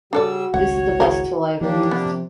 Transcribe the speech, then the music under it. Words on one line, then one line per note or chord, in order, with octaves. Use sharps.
This is the best tool I've ever used.
C#3 G3 D4 F#4 A4 D5 E6
G#1 C#2 G#3 C#5 F#5
E4 G#4 A#4
D#2 F3 A#3 D4 G4
C3 B3